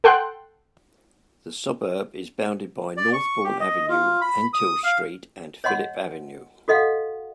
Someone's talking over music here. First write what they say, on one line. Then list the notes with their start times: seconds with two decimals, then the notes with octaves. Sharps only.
The suburb is bounded by Northbourne Avenue, Antill Street and Philip Avenue.
0.04 A4 F#5 G5 C6 F#6
2.97 D5
3.13 C#6
3.44 G4
3.60 D#5
3.89 F4
4.21 B5
4.53 D#6
4.84 F5
5.64 C#5 D#5 F#5 C6
6.68 F#4 A4 D#5 F5 F#5